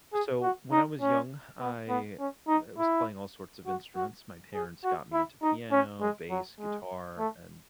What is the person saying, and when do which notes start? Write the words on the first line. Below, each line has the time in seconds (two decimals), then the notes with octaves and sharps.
so when I was young, I w was playing all sorts of instruments, my parents got me into piano, bass, guitar, and
0.13 G#4
0.42 F#4
0.72 D#4
1.01 C#4
1.60 B3
1.89 B3
2.19 C#4
2.48 D#4
2.78 E4
3.66 F#4
3.96 F#4
4.54 G#4
4.84 F#4
5.13 E4
5.43 D#4
5.72 C#4
6.01 G#3
6.30 F#3
6.60 G#3
7.18 A3